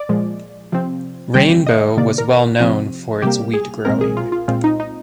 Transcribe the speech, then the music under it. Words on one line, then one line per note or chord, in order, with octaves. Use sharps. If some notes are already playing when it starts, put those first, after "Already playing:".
Rainbow was well known for its wheat growing.
Already playing: D5
A#2 F3 G#3
C3 F3 C4
C3 D#3 G3 C4 G5
D#5
C3 D#3 A#3 D5
A#4
C3 F3 C4
C3 G3 A#3 G4
G#4
A#2 G#3 C4 A#4
G#4
F4
F4
A#2 G#3 C4 F4
D#4
D#4